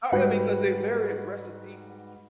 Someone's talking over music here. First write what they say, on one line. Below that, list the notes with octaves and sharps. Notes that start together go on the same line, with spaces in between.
however because they're very aggressive people.
G#2 G3 F#4 B4 F#5